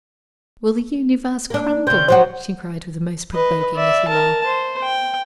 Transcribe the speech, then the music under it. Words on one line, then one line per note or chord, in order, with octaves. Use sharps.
"Will the universe crumble?" she cried with the most provoking little laugh.
A#3 D4
C#3 C4 G6
F3 F#3 F#4 C5
B4 D#5
D5 E5
A#4 A5
C5
G5